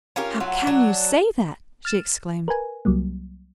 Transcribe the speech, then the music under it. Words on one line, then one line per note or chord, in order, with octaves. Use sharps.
"How can you say that?" she exclaimed.
C#4 F4 G4 A#4
F#3 A3 F4
F#3 D4
F6 A6 E7
A#4 B4 G#5
C2 F#3 G3 A#3